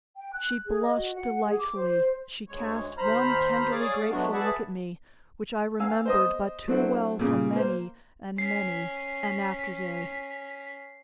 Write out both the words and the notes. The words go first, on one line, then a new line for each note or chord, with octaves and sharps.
She blushed delightfully; she cast one tenderly grateful look at me, which I remembered but too well for many and many an after-day.
G5
F#6
G#4
D#5
F#4
F#5
G#4
D6
C5
D2 G#3 C#5
D#2 C5 A#5 B5 F6
G#4 C#5 D5 F5 D6 D#6
F#3 G#3 A3 B3 D4 F#4
G#4 B4 D5 E5 F#5 A5
F5 G#5 E6
C5 D#5 D#6
F#3 A3 C4 D4 E4 F#4
A#2 C#3
A#3 C5
C#4 B6 C7